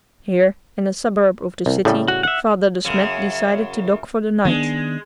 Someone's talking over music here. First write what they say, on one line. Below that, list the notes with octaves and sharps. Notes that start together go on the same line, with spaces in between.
Here, in a suburb of the city, Father De Smet decided to dock for the night.
C2
A2 C#3 G3
F#4
E5 F#5
F#2 C#3
D#3 G#3 B3 D4